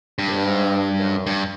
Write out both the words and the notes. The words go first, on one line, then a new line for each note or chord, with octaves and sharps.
Oh no.
G2
G2